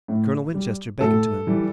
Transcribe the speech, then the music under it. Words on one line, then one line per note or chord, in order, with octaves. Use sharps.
Colonel Winchester beckoned to him.
A2
G3
A2 A4
E3 G3